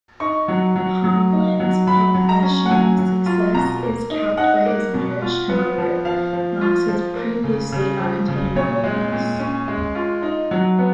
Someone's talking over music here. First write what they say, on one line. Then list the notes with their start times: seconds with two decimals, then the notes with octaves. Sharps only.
Hanlan's professional success is capped by his marriage to Margaret, Knox's previously unattainable niece.
0.20 D#4 C#6
0.48 F#3
0.76 F#3
1.04 F#3
1.32 D#4
1.60 F#3
1.87 F#3 B5
2.14 F#3
2.29 A#5
2.42 C#4
2.66 F#5
2.70 F#3 G#5
2.99 F#3
3.26 F4
3.54 B2 A#5
3.83 A#3
4.10 D#4
4.37 D#4 F#5
4.66 A#3
4.94 B2
5.22 F4
5.49 B3
5.78 F3
6.05 F3 F5
6.33 F3
6.61 F4
6.88 F3
7.16 A#3
7.44 C#3
7.72 C#3
7.99 F3
8.28 C#3
8.55 A#2 C#5
8.83 G#3
9.12 A#2
9.39 C#4
9.68 G#3
9.95 F4
10.22 D#4
10.51 F#3
10.79 B3